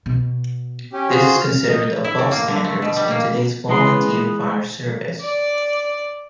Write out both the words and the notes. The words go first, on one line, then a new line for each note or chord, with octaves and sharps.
This is considered above standards in today's volunteer fire service.
B2
C#4 G4
F4 F#4 G#4 C5
F6
D#5
E4
A2
A#3
D3
A3
B2
G3
A#3
E3 G#3 B3 D#5 C6
D5